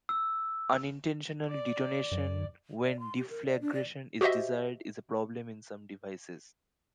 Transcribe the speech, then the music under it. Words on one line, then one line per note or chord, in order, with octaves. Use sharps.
Unintentional detonation when deflagration is desired is a problem in some devices.
E6
D5
F#2
D5
C6
G4
A#4
D5
D4
D5
F#4 G4 C5 D#5 E5